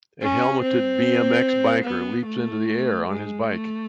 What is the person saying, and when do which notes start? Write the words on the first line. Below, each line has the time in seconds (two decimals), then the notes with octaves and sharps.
A helmeted BMX biker leaps into the air on his bike.
0.22 C#4
0.63 C4
1.85 B3
2.26 A3
3.08 G#3
3.49 A3